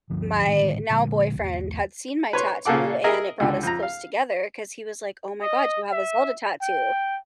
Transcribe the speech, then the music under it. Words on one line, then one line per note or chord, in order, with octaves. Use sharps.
my now-boyfriend had seen my tattoo and it brought us close together 'cause he was like, "Oh my god, you have a Zelda tattoo."
D2 G2 F3
A2 D3 D#3 G#3
A#2 D3 G#3
B1 E2
B4 C#5 C6
A#2 C#3 A#3 A4 F#5 D6
G#4 A#4 D#5 E5
C#2 D3
F2 A#5
F5
D#5
E5
G5